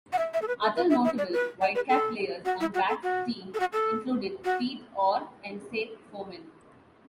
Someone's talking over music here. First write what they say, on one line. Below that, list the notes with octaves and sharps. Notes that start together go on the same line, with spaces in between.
Other notable Whitecap players on Backe's team included Pete Orr and Seth Foreman.
F#5
E5
E5
A4
B4
A4
B4
E5
E5
D5
B4
D5
B4
A4
F#4
E4
F#4
A4
F#4
A4
F#4
A4
F#4